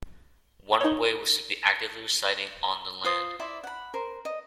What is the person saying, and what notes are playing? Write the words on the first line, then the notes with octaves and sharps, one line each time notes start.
One way was to be actively residing on the land.
D#4 C#5
F4 C5 D#6
E4 D5 E5 C6
F#5 B5
A#4 C5
D#5